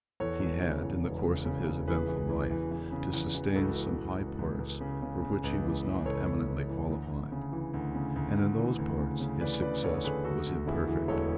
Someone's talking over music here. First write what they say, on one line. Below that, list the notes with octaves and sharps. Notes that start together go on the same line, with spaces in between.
He had, in the course of his eventful life, to sustain some high parts for which he was not eminently qualified; and, in those parts, his success was imperfect.
E2 A4 C#5
E1
C#3
E2
E1
C#3
C#3
E1
E3 G#4 B4
E3
E3
E3
E3
C#3
E2
E3
C#2 F#4 A4
E3
C#2
C#2
C#2
C#2
C#3
C#3
C#3
C#2
E3
C#3
C#2 A4 C#5
C#2
C#2
E3
D2
D2
C#3
E3
D2
C#3
D2
D2
E3
D2
C#3
C#3
E3 B4 D5
C#3 B4 D5
D2 A4 C#5
D2 G#4 B4
D2 F#4 A4
D2
E1 E4 G#4
E3
E1 A4 C#5